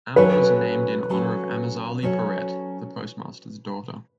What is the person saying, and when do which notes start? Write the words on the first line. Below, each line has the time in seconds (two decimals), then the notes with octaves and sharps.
Ama was named in honor of Amazalie Perret, the postmaster's daughter.
0.16 F#3 C#4 F#4 A4 B4 C#5
1.09 F#3 C#4 F#4 A4 C#5
2.02 F#3 C#4 F#4 A4 C#5